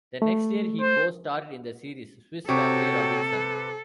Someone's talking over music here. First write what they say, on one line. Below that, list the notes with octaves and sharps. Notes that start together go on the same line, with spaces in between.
The next year, he co-starred in the series "Swiss Family Robinson".
A3
C5
C3 F#4 A4 C#5 G5
B4